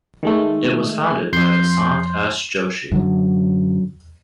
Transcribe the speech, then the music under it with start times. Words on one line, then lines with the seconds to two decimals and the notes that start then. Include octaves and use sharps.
It was founded by Vasant S. Joshi.
0.23 D#3 G#3 A3
1.33 F2 C6 G6
2.92 F#2 D3 F#3